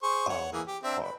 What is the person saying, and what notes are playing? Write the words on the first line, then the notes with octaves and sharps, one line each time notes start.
um, uh,
G#4 C5 C#6
C#5 F#5
E3 A#3 G#4
G4
C4 D4 E5
B4